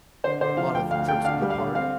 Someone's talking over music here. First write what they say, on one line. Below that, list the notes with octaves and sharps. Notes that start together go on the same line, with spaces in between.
A lot of trips to the park.
D3 C5
D3 C5
F3 F5
D2 G5
D2 F5
A3 G5
D3 F5
G3
F5
D3
C4 F5